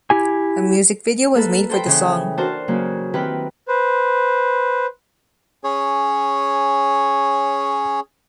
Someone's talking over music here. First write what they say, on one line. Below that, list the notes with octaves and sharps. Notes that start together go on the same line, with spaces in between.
A music video was made for the song.
E4 G4 G#5
A#3 A4 B4
A4 C5 G5 B5
C#3 E3
D4 F#4 A#4 C5 A5
C#3 F#3 A#3
D#3 C4 E4 G4 B4
B4 C5
C#4 G#4 C#5